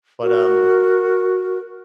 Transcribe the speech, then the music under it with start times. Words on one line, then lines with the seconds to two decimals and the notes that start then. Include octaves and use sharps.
But, um
0.21 F#4 A#4